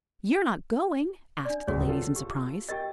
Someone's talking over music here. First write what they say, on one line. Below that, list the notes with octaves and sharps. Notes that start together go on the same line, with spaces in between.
"You are not going?" asked the ladies in surprise.
D4 D5
D1 C#2 F#4 G#4 C#5
F4 A4
G4
G4 A#4 D#5 G5 A6